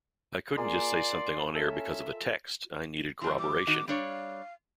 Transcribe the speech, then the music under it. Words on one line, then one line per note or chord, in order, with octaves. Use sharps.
I couldn't just say something on-air because of a text, I needed corroboration.
A#3 F4 G#4 D5 C6
C#4 A4 D#5 E5
E3 G3 C6
D6
D#3 D#4 F#4
G3 D4 C#5 F5